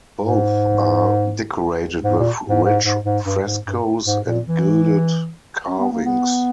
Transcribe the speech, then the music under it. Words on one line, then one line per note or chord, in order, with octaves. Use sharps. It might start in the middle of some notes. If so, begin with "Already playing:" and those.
Both are decorated with rich frescoes and gilded carvings.
G#2
G#2
A#2
G#2
G#2
G#2
G#2
G2
G#2
G2
G#2
A#2
E3
C#4
B3
A#3
B3